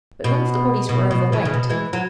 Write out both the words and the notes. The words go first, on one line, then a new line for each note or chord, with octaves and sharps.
But none of the bodies were overweight.
B2
B2
B2
C#3 E3
C#3
B2
E3 G#3
F#3